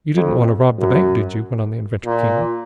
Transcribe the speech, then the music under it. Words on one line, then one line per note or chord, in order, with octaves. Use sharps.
"You didn't want to rob the bank, did you?" went on the inventor, keenly.
F2
F#2
A#2